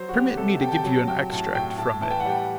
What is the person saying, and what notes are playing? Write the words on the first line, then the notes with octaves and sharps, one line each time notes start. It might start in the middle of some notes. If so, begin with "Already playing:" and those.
Permit me to give you an extract from it.
Already playing: F#3 C5
F#4
F#3 G4
G4
C3 A4
C3 G5
A5
G5
F#3 A5
F#3 G5
A2 A5
A2 G5
A2 A5
E3 A5
G5
F#5
G3 G5